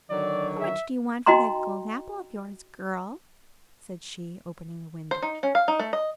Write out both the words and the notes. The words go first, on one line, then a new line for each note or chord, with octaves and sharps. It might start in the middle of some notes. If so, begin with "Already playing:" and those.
"How much do you want for that gold apple of yours, girl?" said she, opening the window.
D3 D#3 F#3 D5
E5
D#4 F#4 D#5 G5 A#5 C6
C5
D#4
C#4
F5
D#4
A3
D#5